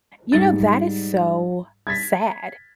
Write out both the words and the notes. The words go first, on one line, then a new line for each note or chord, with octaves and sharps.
You know, that is so sad,
G#2 G3 A6
G#6 A6 B6